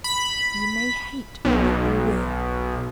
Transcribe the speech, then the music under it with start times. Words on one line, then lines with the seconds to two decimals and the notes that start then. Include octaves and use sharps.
You may hate, but beware!
0.04 B5
1.45 B1